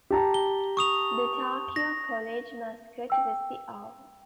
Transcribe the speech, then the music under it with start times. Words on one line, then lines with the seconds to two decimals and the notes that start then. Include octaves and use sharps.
The Tarkio College mascot was the owl.
0.10 G4 A5 A#5
0.34 G7
0.77 C#6 D#6 F7
1.76 A#6
3.10 G5 E6